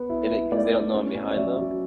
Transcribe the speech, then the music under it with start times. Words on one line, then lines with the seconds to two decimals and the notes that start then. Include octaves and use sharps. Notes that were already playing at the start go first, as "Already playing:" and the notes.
and it 'cause they don't know I'm behind them,
Already playing: B3
0.10 E4
0.31 E4
0.52 A3 D5
0.73 E4
0.94 C#4
1.15 C#4
1.31 D5
1.36 F#3 E5
1.57 F#3